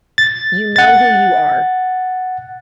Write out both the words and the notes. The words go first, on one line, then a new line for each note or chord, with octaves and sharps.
You know who you are.
A6
F#5 A6